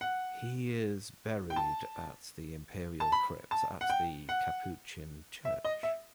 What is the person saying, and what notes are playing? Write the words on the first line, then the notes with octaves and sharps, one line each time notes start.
He is buried at the Imperial Crypt at the Capuchin Church.
F#5
G5
A5
A5
B5
A5
F#5
G5
F#5
E5
D#5
E5